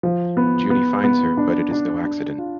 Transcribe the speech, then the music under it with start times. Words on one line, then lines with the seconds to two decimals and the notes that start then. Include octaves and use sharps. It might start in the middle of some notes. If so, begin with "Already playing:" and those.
Juni finds her, but it is no accident.
0.03 F3
0.37 B3
0.70 B3
1.04 B3
1.37 D4
1.71 D4
2.05 D4
2.38 F4